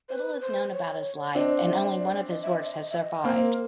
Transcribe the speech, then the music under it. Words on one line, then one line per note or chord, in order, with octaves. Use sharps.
Little is known about his life and only one of his works has survived.
C5
B4
C5
C#5
C4 D4 D#5
E5
D5
D#5
E5
D#5
E5
D#5
E5
D#5
A#3 C4 A#4